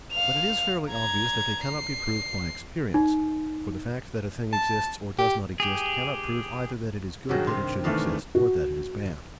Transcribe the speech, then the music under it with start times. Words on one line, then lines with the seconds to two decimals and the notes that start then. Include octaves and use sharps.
But it is fairly obvious that they cannot be proved by experience; for the fact that a thing exists or does not exist cannot prove either that it is good that it should exist or that it is bad.
0.12 F5 F7
0.90 A#5 G#6
1.64 C7
2.94 D#4
4.52 A5
5.18 G4
5.60 G4 G#4
7.29 G2 D#3 F#3 F#4 G#4
7.47 C3 C6
7.84 D#3 E3 A3 D5 F5
8.35 F#4